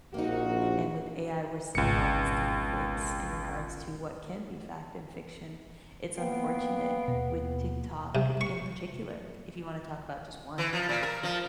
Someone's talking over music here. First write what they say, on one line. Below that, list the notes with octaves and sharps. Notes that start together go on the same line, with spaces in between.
and with AI, we're seeing all these deep fakes in regards to what can be fact and fiction. It's unfortunate with TikTok in particular- if you wanna talk about just one-
A#1 A#3 D#4 F#4
G#1 C#2 B2 C#7
A#3 B3 F5 G5
D#2 B2
C3
C#6
E3
F3
A#2
A#4
F3